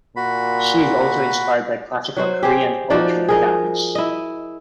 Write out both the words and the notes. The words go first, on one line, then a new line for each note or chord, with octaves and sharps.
She is also inspired by classical Korean poetry and dance.
A#2 F#4 B5
F#3 F#4 C5
G4 G#4 C5
F3 D#4 F#4 D5
G#4 A#4 D#5
E4 D#5